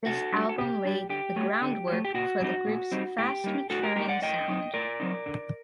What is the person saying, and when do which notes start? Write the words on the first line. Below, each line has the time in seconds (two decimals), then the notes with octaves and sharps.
This album laid the groundwork for the group's fast maturing sound.
0.06 C3 F#4 A4
0.32 G3 D4
0.49 A4
0.58 C3 G4
0.85 G3 D4
1.09 D3 G4
1.36 F#3 A3
1.62 D3
1.88 F#3 A3
2.05 G4
2.14 A#2 F#4
2.40 G3 C4 D#4
2.67 A#2
2.92 G3 C4 D#4
3.18 A2 G4
3.44 G3 A#3 D#4
3.70 A2 F#4 A4
3.83 G4 A#4
3.96 G3 A#3 D#4 G4 A#4
4.09 D5 F#5
4.22 A2 D#5 G5
4.48 F#3 C4 D#4
4.74 A2 A#4 D5
5.00 F#3 C4 D#4
5.26 D3